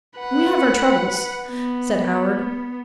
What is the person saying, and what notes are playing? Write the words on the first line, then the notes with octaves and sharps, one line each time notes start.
"We have our troubles," said Howard.
B4 F#5
B3